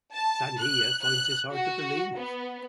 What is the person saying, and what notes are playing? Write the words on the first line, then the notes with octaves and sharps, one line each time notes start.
Sandhya finds this hard to believe.
A5
F#6
F#6
F#4
B3